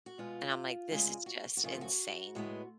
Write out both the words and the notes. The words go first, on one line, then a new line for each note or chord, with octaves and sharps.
and I'm like, "This is just insane."
F#4
B2 G#3 B3 F4
D2 C#3 G#3
F#4
F#4
F#2 C#3 F3 A3 F4
F#4
A2 G#3 B3